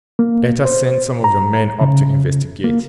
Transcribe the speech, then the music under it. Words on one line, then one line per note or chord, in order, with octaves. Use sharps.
"Better send some of your men up to investigate."
A#3
C5
A#5
C#3
A#3